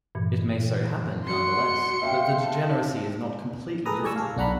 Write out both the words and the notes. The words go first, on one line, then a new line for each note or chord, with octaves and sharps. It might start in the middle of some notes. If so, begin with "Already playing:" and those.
It may so happen, nonetheless, that the degeneracy is not completely lifted.
G2 A#2 E3
F#4 C6 C#7
E5 F5 G5
A5
G#4 A4 B4 A#5 D#6
A2 G3 D5 G#5 C#6 E6
A4 F5
B1 D4 F#5 A#5 B5